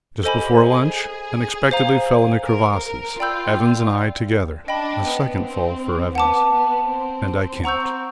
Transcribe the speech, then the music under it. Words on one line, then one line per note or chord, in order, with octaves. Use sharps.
Just before lunch unexpectedly fell into crevasses, Evans and I together--a second fall for Evans, and I camped.
G4 A4 C5 D#5 G#5 B5
G#4
C5 F5 A#5
A#4
A#4
F4 D5 G5 B5 E6 G6
D4 D#5 G5 B5
B3
C4
B3 F#5 A5 D6
B3
C4
C4 F#5 A#5 C#6 E6 G6